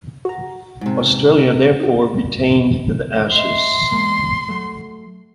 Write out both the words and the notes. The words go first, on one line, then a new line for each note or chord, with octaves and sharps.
Australia therefore retained the Ashes.
F#4 A#5
G#2 C3
D#4 F#4
D#5 E5 C6
E2 G#3 A#3
F#3 A3